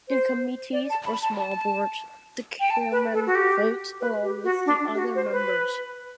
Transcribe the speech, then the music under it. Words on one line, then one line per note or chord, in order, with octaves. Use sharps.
In committees or small boards, the chairman votes along with the other members.
C5
D5
A5
B5
A5
A5
G5
A5
B4
A4
F#4
G4
B4
G4
F#4
D4
G4
F#4
C5
B4